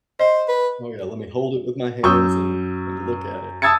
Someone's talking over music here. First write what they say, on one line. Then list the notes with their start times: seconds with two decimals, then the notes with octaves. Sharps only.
Oh, yeah, "Let me hold it with my hands and and look at it."
0.20 C5 D#5
0.48 B4
2.03 F#2 C#6 D#6 E6 G6
3.62 A5 D#6 E6 G#6 A6 C#7